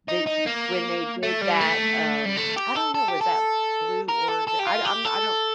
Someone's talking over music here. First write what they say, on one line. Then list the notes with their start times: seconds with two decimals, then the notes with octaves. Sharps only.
Did when they did that, um I don't know, was that Blue Orig I I'm I don't
0.09 D#4
0.27 D#4
0.47 A#3
1.23 A3
1.41 G3
1.61 A3
2.26 G3
2.37 A3
2.57 G4
2.76 A4
2.95 A4
3.08 G4
3.21 A4
4.08 A#4
4.28 A4
4.47 A4
4.59 G4
4.66 F4
4.85 G4
5.05 A4